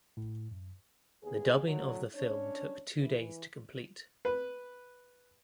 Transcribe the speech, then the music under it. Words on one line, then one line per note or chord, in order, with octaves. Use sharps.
The dubbing of the film took two days to complete.
A2
F#2
D#2 B3 G#4
A2 D3 F#3
C#4 D4 C#5
E3
B4